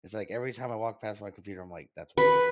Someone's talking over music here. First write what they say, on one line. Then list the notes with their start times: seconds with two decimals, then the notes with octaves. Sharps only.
it's, like, every time I walk past my computer, I'm like, "That's work."
2.17 B4